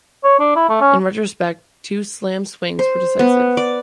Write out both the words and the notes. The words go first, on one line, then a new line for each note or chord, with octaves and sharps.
In retrospect, two "slam swings" were decisive.
C#5
D4
E4
A3
C#4
C5
B3
D5